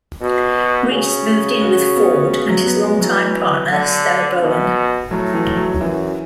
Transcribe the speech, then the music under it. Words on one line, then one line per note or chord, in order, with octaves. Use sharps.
Rhys moved in with Ford and his longtime partner, Stella Bowen.
B2 F#4
C#3 G#4
F#4
B3
F#3
B3
G#3
E3 F#3
D3
B2
A2 F#3
E3
F#3
F#2 E3